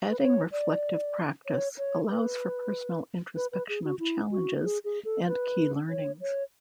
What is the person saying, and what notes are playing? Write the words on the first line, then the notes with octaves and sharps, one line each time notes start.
Adding reflective practice, allows for personal introspection of challenges and key learnings.
B4
C#5
D5
C#5
C#5
B4
B4
B4
G#4
F#4
E4
F#4
G#4
G#4
A4
B4
C#5
C#5